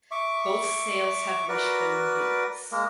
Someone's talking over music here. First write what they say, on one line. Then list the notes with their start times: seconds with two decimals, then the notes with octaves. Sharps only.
Both sails have wishbone booms.
0.11 E5 C#6 D6
1.49 F#4 A#4 B4 D5
2.72 G#3 A#3 A#4